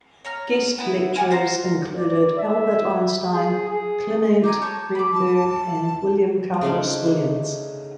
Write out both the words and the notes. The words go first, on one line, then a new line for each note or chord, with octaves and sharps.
Guest lecturers included Albert Einstein, Clement Greenberg, and William Carlos Williams.
C#5 A#5 F6
B3 E4
G4 F#5 G#5 F6
F#4 C5 F5 A#5
D5
E5
G#4
G#4
C4 D#4 G#5 D6
C#5 A5 G6
B5 D6
A5
C#3 A3 D4 D#4